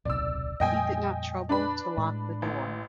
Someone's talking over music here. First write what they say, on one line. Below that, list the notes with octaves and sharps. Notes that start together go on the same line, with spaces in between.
He did not trouble to lock the door.
D1 B1 C3 D5 E6
F2 A#2 G3 D#5 G5 G#5
D4 B4 B5
A2 G#3
A1